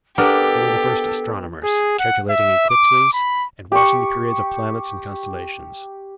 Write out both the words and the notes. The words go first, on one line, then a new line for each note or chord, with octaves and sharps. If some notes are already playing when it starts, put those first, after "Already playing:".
They were the first astronomers, calculating eclipses, and watching the periods of planets and constellations.
B3 D4 G4 A4 A#4
G#4
F#5
E5
D6
B5
G4 C#6